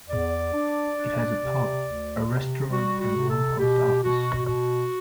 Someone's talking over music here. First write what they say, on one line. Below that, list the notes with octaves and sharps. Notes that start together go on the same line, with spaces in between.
It has a pub, a restaurant and one post office.
E2 D5
D4
D4
C3
D2
C3
G3 F#4
F#4
C3
A4
B2 G4
B2 F#4
B2 F#4